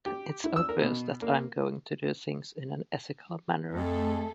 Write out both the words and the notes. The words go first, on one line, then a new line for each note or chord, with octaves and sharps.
It's obvious that I'm going to do things in an ethical manner.
G4
E4
E6
A#4
B2
A#3
F2 A3 G#4 A4